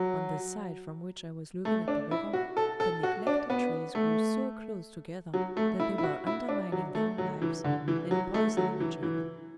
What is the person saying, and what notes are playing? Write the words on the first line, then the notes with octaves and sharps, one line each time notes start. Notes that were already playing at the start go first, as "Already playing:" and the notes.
On the side from which I was looking at the river, the neglected trees grew so close together that they were undermining their own lives, and poisoning each other.
Already playing: F#3
A3
D4
E4
F#4
A4
A4
F#4
D4
B3
A3
F#3
A3
E4
E4
F#4
E4
D4
F#3
A3
F#3
E3
D3
E3
F#3
A3
F#3
E3
E3